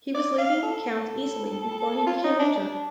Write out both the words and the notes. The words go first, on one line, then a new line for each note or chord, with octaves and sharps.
He was leading the count easily before he became injured.
D5
F5
A4
F4
D#4
D4
D4